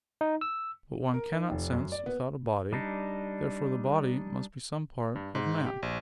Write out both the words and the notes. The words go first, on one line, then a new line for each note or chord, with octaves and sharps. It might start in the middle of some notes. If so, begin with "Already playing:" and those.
But one cannot sense without a body: therefore the body must be some part of man.
D#4
E6
A#4
D#4
F1
F#2
D5
B3
G3 D4 D#4
G2
G#2
G4
A#1